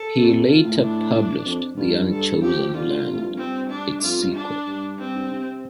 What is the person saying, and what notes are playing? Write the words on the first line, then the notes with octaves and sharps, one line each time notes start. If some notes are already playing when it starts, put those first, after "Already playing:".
He later published "The Unchosen Land", its sequel.
Already playing: A4
C3
F4
A2
D4
F2
G2 F4
A4
F3 G4
D3 F4
C3
A2
G2
F2
G2 C4
D4
F2 F4
G2
D4
G2
G2 C4
G2
C3